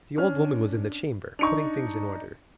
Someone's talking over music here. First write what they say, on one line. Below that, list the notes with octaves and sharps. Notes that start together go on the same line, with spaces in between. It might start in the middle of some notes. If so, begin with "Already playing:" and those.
The old woman was in the chamber, putting things in order.
C#4 D4 F6
D4 D#4 C#6 C#7 F7